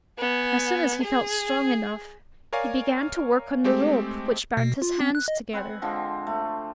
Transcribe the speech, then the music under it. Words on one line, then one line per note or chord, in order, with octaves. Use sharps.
As soon as he felt strong enough he began to work on the rope which bound his hands together.
B3 G#5
G#4
A#4 C#5 D5 F5 G#5
G#3 A3 C4 G4
B2
F4
C4
F#6
D#5
C4 B4 F#5 G#5
D3 F3 G#3 C4
A3